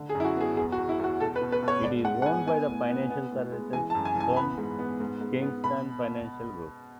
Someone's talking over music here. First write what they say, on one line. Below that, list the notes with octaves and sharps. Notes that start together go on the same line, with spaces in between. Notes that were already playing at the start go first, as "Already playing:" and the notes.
It is owned by the financial services firm Kingston Financial Group.
Already playing: D3
G#4
F#2
E4
F#4
B3 G#4
E2 G#4
F#4
E2
E4
E2 F#4
B2 A4
B4
B2
B4
B2
C#5
G#2 D5
G#2 F#5
F#5
B3 G#5
B3 G#5
A2
B3
B3
A2
G#3
E3 G#5
A5
F#2
G#5
E3
G#5
B3 B5
G#2
B3
G#2
G#2
B3
B2 B5